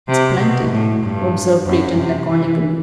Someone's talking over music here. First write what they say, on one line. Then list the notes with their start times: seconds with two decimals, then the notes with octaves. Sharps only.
"It's plenty," observed Breton laconically.
0.08 C3
0.40 B2
0.71 A2
1.03 G2
1.65 F#2
1.98 C3
2.30 E3